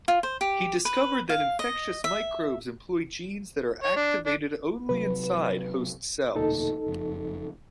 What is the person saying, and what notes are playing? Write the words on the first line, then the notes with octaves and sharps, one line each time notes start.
He discovered that infectious microbes employ genes that are activated only inside host cells.
F4
C5
G4
B4
F5
D#5
E5
C#5
D4
D4
C3 F#3 B4
E1 D2 A#2 D#4 A4
F#1 F2